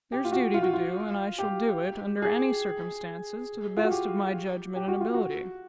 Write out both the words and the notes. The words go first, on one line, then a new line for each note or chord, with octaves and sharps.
There's duty to do, and I shall do it, under any circumstances; to the best of my judgment and ability.'
G4
F4
F#4
F4
F#4
F4
G4
G#4
F4
F#4
G4
G4
F#4
F4
F#4